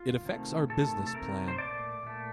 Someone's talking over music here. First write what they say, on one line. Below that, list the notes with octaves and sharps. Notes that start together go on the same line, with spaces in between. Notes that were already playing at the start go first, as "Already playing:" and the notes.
It affects our business plan.
Already playing: F4
C3 D#3 A3
C3 D#3 A3 A4
A4
C3 D#3 A3 A#4
C5
A#2 A3 D5
A#2 A3